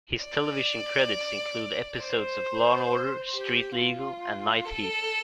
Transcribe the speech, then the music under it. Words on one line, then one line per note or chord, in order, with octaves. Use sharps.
His television credits include episodes of "Law and Order", "Street Legal" and "Night Heat".
D5
C5
G4
F4
A4